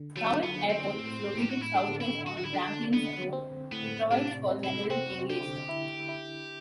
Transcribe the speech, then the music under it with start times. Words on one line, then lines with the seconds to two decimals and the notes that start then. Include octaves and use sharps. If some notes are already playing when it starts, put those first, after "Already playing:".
Stawell Airport is located southwest on Grampians Road; it provides for general aviation.
Already playing: D3
0.17 F#3 A3
0.43 B3
0.56 D3
0.70 C4
0.96 A2
1.35 A2 G4
1.50 F#4
1.62 E4
1.75 D3 D4
2.01 E4
2.14 D3
2.27 F#4
2.37 F#4
2.45 E4
2.53 D3 D4
2.93 D3 B3
3.33 C4
3.72 A2 B3
4.11 C3 D4
4.51 C3
4.64 E4
4.90 C4 F#4
5.30 D3 G4
5.69 E4
6.08 E4